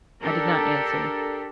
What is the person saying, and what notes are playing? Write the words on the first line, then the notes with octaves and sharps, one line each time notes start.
I did not answer.
D4 G4 A4 A#4